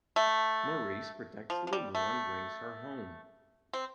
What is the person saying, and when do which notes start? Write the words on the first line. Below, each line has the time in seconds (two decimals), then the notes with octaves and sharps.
Maurice protects Lulu and brings her home.
0.16 A3
1.50 F3
1.67 F3
1.73 G3
1.95 A3
3.73 C4